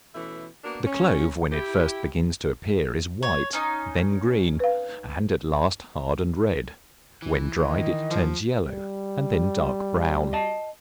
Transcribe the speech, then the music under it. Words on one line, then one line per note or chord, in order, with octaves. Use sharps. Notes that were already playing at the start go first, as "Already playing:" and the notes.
The clove when it first begins to appear is white, then green, and at last hard and red; when dried, it turns yellow, and then dark brown.
B2 E3 A3 C#4 E5
A#3 B3 D4 F#4 A#4
C#4
E4 G4
C#5
C#4 D#4
B4 F5
E3
D#3 D#5
F3
G3
D#5 A5